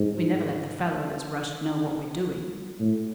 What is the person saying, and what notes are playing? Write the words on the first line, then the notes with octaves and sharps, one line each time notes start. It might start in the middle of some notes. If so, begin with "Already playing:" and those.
We never let the fellow that's rushed know what we're doing.
Already playing: G#2
A2